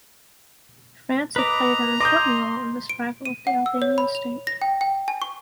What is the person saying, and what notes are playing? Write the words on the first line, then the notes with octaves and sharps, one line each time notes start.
France had played an important role in the survival of the Albanian State.
B4 D#5 A#5 D6
D#5 C6 D6 D#6 G6
D7
D#7
F#5
E6
C#5
B5
F7
A#6
G5
G5
G#5
C#6